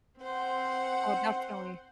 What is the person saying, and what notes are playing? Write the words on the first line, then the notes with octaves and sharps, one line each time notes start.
Oh, definitely.
C4 C5 F#5